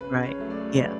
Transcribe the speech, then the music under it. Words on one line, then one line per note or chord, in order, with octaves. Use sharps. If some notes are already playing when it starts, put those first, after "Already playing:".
Right. Yeah.
C#3 B4
C#5
F#3 A3
D5
C#3 B4